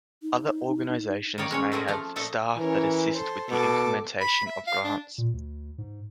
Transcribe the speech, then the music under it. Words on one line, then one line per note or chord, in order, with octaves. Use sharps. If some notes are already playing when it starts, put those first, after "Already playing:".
Other organizations may have staff that assist with the implementation of grants.
D#4
D#3 A#3 C#5 D5
G#3 C#4 C#5
A3 C4 G#4 A#4
F3 A3 F5
A#2 A3 A4 D#5
E3 C#4 A#4
A4 C5
B2 A4 D6
B5
E5
F5
D4
A#2
D2
G#2